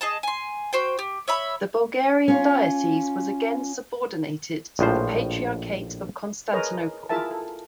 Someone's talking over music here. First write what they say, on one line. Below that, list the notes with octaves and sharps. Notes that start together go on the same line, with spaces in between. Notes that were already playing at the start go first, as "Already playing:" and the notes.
The Bulgarian diocese was again subordinated to the Patriarchate of Constantinople.
G#4 D#5 A5
G#5 C6
F#4 C5 G5
G4
C#5 E5 B5
C#4 F4
A#1 A2 F3 C5
G#4 A#4 B4 C#5 D#5 A#5
E4 F4 G#4 A#4 E5 A5
A4